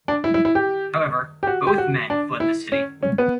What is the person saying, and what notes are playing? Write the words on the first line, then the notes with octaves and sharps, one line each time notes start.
However, both men fled the city.
D4
E4
E4
E4
G4
G4
F#4
G4
F#4
D4
E4
C#4
C#4
B3